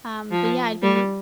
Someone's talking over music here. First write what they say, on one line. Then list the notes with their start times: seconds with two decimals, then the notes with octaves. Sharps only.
Um, but yeah, I've been
0.31 F3
0.82 G3